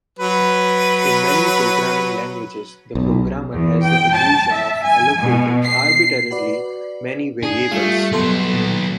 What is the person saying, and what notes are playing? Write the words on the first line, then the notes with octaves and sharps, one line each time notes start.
In many programming languages, the programmer has the illusion of allocating arbitrarily many variables.
F#3 B4
B1
E2
G5
A5
E5
G#5
B2
C7
F#4 B4 D5
D4 G#4
G3 A3 F4 F5
F#3 G3 B3 A4 C6
A#2 D#3